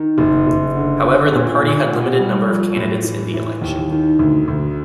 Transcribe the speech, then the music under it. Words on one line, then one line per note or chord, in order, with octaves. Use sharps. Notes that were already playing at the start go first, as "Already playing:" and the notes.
However, the party had limited number of candidates in the election.
Already playing: D#3
F#1
F#1
D3
D3
A#2
A#2
B2
G3
F3
A2
E3
E3
D#2
D#3
D2
D2